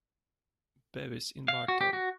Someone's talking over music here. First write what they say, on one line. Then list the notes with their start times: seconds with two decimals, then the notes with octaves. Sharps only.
Bevis in Bartow.
1.48 F5
1.68 F#4
1.81 G4
1.93 F#4